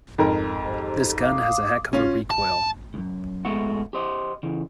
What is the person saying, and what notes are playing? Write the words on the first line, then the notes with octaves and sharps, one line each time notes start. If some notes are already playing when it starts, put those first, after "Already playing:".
This gun has a heck of a recoil.
F2 G#2 A#4
G4 A4 C5
F5 D6 D#6
C#4 F4 F#4
A5
C#2 F#2
G#3 A3 B3 F#4 F#5
G4 C5 D#5
C#3 E3